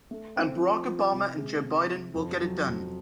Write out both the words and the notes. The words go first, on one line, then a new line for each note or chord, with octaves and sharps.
And Barack Obama and Joe Biden will get it done.
A3
C4
F3
F3
C3
G#3
C3
C3
F2
F#3
F2